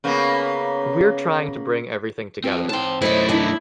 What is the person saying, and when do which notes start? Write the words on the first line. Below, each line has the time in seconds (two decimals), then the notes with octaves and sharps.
We're trying to bring everything together.
0.04 C#3 A#3 B3
2.44 C4 F4
2.69 G#2 C4 A5 C6
3.02 F#2 A3 E4 C5 D#5
3.29 E3 D4 D#4